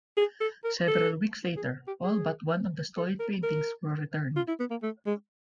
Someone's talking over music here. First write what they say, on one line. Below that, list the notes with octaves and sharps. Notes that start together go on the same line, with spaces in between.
Several weeks later, all but one of the stolen paintings were returned.
G#4
A4
A#4
A4
G#4
G4
G#4
A4
A#4
A#4
F4
E4
B3
A#3
A3
G#3